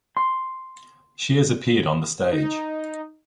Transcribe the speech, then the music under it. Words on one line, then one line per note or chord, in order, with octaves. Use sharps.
She has appeared on the stage.
C6
D#4